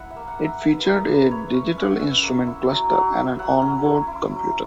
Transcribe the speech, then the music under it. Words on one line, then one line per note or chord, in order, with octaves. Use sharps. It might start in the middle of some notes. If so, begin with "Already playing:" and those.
It featured a digital instrument cluster and an onboard computer.
Already playing: E4 F#5
E5
A#3
F#5
A#3
E5
A#3 E5
B4
A#4
E4 G#4
A#4
A#3
B4
E4 C#5
B4
C#4
E5
C#4 F#5
C#4 E5
A#3
E4
F#3
F#3
E4
F#3 F#5
C#4
E4
E4
F#3